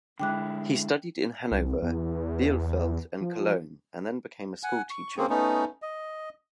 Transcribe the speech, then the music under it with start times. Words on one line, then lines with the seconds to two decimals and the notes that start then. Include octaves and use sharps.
He studied in Hanover, Bielefeld and Cologne, and then became a schoolteacher.
0.20 D3 G#3 E4 G5 D6 F#6
1.51 C2
1.83 E2
3.21 F3
4.63 F#5 G#5
4.90 C#6
5.17 A#3 C4 C#4 G#4
5.30 A3 B3 C#4 D#4
5.82 D#5